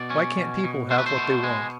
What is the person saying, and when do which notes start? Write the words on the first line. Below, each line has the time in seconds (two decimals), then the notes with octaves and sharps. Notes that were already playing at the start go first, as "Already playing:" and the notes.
Why can't people have what they want?
Already playing: B2 D5
0.10 C#4
0.37 B2
0.64 B2
0.90 A3 C5
0.98 B4
1.06 C5
1.17 B2
1.44 G#3